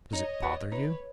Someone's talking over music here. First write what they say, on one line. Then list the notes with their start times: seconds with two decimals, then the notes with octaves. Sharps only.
"Does it bother you?"
0.12 D#4 C#5 D#5
0.42 F#4 B4 D5
0.71 D#4 B4 C#5